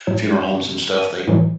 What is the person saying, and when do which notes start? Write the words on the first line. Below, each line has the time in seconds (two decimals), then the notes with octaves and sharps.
funeral homes and stuff, they
0.07 A2 F#3
0.98 D#7
1.28 A2 E3 F#3